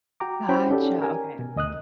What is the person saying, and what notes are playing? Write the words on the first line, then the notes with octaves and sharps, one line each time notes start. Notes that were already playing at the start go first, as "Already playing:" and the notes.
Gotcha. Okay.
F#4 G5 A#5 D6
C#4 E4 F#4 C5 G5 B5
C#4 D#4 G4 A4 D5
A#4 G#5
B2
D2 D#5 D#6 F#6